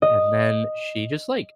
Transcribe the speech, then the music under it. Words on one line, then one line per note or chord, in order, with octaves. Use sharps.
and then she just, like,
D#5